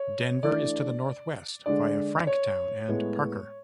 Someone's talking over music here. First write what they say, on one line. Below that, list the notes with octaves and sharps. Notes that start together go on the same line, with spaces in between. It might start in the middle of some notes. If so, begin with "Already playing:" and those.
Denver is to the northwest via Franktown and Parker.
Already playing: C#5
E3 A3 D4 D5
D3 G#3 D4 D5
C#5
A2 G#3 B3